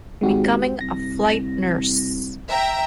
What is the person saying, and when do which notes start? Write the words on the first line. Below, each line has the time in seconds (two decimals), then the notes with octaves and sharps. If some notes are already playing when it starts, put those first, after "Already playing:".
Becoming a flight nurse.
0.21 G#1 G#3 F#4 G4
0.81 C2 A#6
2.48 E5 G5 A#5